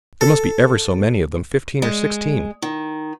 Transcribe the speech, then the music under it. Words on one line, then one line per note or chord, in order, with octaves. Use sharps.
There must be ever so many of them, fifteen or sixteen.
A4
G#3
D#3